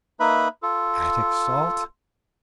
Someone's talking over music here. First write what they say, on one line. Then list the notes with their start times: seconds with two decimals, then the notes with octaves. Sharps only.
"Attic salt?"
0.20 A#3 D#4 B4 E5 B5
0.63 F4 A4